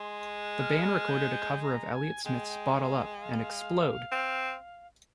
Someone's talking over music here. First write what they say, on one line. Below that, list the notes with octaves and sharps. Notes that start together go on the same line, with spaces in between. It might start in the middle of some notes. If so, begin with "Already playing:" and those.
The band recorded a cover of Elliott Smith's Bottle Up and Explode!
Already playing: G#3 C6
F6
F6
G6
G6
A#5
G#5
G#3 G5
G5
F5
G5
F5
C4